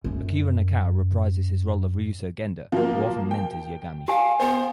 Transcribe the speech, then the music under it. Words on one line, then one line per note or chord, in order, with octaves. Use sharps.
Akira Nakao reprises his role of Ryuzo Genda who often mentors Yagami.
F#2 C#4
F3 F#3 A#3
G5
G4 F5 G#5
B3 C5 G5